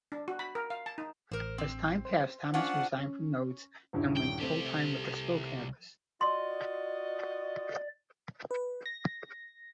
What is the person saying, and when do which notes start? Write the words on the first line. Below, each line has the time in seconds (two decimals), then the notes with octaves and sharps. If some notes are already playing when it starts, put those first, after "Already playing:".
As time passed, Thomas resigned from Nodes, and went full-time with The Spill Canvas.
0.12 D4
0.28 F#4
0.39 B5
0.55 A#4
0.70 F5
0.86 A5
0.98 D#4
1.31 A1 A#4 C5
1.58 C4
2.05 C5
2.54 C#4 D4 F4 F#5
2.98 C#4
3.93 D#1 G2 E4
4.17 G5
4.40 C2 A3 C4 G4
6.21 F4 F#4 D5 D#5 C6
8.51 B4
8.86 A#6